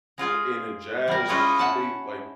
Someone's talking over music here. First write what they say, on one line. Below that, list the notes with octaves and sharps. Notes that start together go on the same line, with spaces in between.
in a jazz state? Like,
G#3 F4 G#4 F5
G3 A#4
G#3 C#4 E4 F4 B4 D#5
E5 F#5 A5